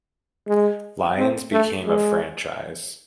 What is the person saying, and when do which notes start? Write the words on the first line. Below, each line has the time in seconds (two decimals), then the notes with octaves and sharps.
Lions became a franchise.
0.48 G#3
1.18 C4
1.52 A3
1.87 G#3